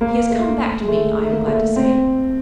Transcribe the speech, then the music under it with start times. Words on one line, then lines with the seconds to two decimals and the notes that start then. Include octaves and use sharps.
He has come back to me, I am glad to say.
0.01 A#3
0.31 A3
0.81 G#3
0.88 A3
1.18 A3
1.32 A#3
1.47 A3
1.76 C4